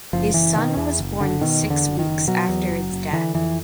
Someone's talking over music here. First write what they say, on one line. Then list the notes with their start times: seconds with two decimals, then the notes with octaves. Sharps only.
His son was born six weeks after his death.
0.13 F#1 F3
0.34 F#1 E3
0.56 B2 D#3
0.77 E2 E3
0.99 F#1
1.20 F#1 D3
1.41 B2 D#3
1.63 E2
1.70 D3
1.85 F#1
1.99 D#3
2.06 F#1
2.28 B2 F#3
2.49 E2
2.70 F#1
2.92 F#1
3.13 D3 E3
3.34 F2 E3